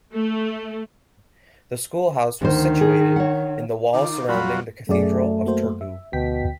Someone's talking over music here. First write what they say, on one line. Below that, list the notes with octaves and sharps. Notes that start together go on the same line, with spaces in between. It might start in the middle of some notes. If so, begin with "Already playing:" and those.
The schoolhouse was situated in the wall surrounding the Cathedral of Turku.
A3
D2 D#3 C5
G#4
C#5 F#5
D#3 D#4 F4 D6
F2 F#3 G3 F4 F#4 B5
F#2 A3 F#4 G#4 D5
A#3 F#4 C5
E5
D2 B2 G5 B6